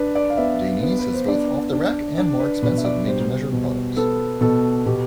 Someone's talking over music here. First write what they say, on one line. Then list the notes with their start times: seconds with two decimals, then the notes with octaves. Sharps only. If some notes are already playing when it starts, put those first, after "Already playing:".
Dainese has both off-the-rack and more expensive made to measure products.
Already playing: D4 B4
0.15 D5
0.30 F5
0.37 B3 E5
0.82 B3
0.99 B4
1.14 C5
1.28 D4 D5
1.73 D4
2.17 D4 D5
2.39 B4
2.62 B2 B4
2.78 E5
2.84 D5
3.07 G3 C5
3.52 B2
3.97 B3 A4
4.41 B2 A4
4.86 B2 G4